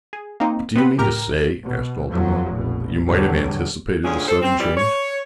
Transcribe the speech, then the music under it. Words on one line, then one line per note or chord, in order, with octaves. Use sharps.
"But do you mean to say," asked Altamont, "that you might have anticipated the sudden change?"
G#4
A#3 C4 D#4
B3 C4 B4
C#2 A2 G4 A#4 A#5 F6
B2
F2 F3 F#3
F1 A#1 B2
E2 G#2 B2 D3 F#3 G3
D2 A#2 C#3 G#3 C#4 G#4
A4 C5
C4
E3 G3
C#5